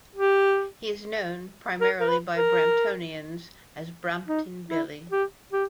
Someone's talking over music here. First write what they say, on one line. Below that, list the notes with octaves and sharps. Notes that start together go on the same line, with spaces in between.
He is known, primarily by Bramptonians, as "Brampton Billy".
G4
A#4
A#4
B4
A#4
D#4
E4
G4
G4